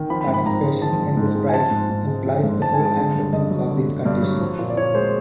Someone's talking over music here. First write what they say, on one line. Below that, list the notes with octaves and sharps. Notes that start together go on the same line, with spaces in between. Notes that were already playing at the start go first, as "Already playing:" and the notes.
Participation in this prize implies the full acceptance of these conditions.
Already playing: D#3
F3 B5
B5
G#2
B5
G#2 A#5
G#3
F3 A5
G#2
G#2
G#3
G#5
F3 A5
G#2
G#2
G#3
F3
G#2
G#2 A5
G#3 G#5
A5
D3
G2
G2 D#5
F#3
D3
G2
G2 D5
F#3
F3
A#2
D5
A#2 C#5
G#3 C5